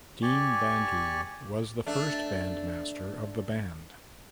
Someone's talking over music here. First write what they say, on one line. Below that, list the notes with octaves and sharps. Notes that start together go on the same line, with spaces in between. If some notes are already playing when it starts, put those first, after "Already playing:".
Deen Bandhu was the first bandmaster of the band.
G4 D5 G#5 C#6
A3 D4